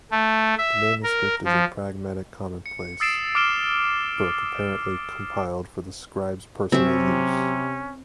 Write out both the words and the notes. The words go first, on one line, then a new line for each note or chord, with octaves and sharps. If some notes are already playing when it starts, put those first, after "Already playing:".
The manuscript is a pragmatic commonplace book apparently compiled for the scribe's personal use.
A3
E5
A#4
F3
C#7
D#6 E6 A6 C7 D7 E7
D6 E6 F6 D7 E7 G7
C3 F#3 C4 C#4 G4 E5